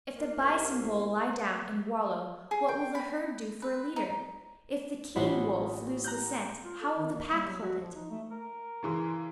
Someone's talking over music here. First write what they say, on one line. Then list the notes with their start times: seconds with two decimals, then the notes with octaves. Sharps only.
If the bison-bull lie down and wallow, what will the herd do for a leader? If the king-wolf lose the scent, how will the pack hold it?
0.17 A#3
0.40 C2
2.51 G#4
2.68 G5
2.95 B5
3.62 B4
3.96 D#4
5.16 A1 F4 C5 C#5 F#5 B5
6.04 A#5 F#6 G6
6.65 F4
6.81 A4
6.97 D#3
7.13 A#3
7.33 G3
7.47 F#3
7.62 F#4
7.81 F3
7.95 D#4
8.10 A3
8.31 A#4
8.83 C#3 E3 C6